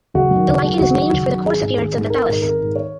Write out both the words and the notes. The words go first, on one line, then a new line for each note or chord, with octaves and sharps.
The lichen is named for the coarse appearance of the thallus.
F#1 F#4
F#2 D#3
F#1
F#2 D#3
F#1 F#4
F#2 D#3
F#1
F#2 D#3
G#1 G#4
G#2 D#3
G#1
G#2 D#3
G#1 A#4
G#2 D#3
G#1 A#4
G#2 D#3
C#5